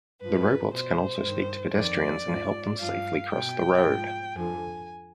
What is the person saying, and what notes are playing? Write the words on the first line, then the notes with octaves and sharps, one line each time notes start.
The robots can also speak to pedestrians and help them safely cross the road.
G2 F3 B4
B2 C5
G2 D#3
F2 D#3 D5
G#2 F3
G2 F3 F5
B2 G5
G#2 F3
F2 D3 F3 G#5